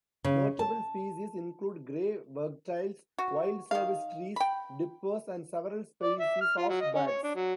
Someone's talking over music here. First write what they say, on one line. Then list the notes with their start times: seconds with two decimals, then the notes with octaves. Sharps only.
Notable species include grey wagtails, wild service trees, dippers and several species of bats.
0.24 C#3
0.59 A5
3.18 F#4
3.71 D#3 F5
4.36 G5 B5
6.03 D5
6.19 E5
6.41 F6
6.58 F4
6.69 F#3
6.80 D#5
6.95 C#4
7.07 C#5
7.23 D4
7.35 F#3